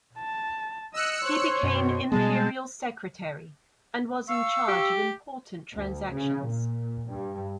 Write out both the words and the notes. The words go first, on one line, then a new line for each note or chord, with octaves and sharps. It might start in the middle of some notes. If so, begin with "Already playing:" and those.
He became imperial secretary and was in charge of important transactions.
A5
D#5 E6 F#6 C#7
C5 C#5
F#2 B2
B2 G3 G#3 B3 A5
F5 C#6 E6
G4
D2
C#3
A#2
G2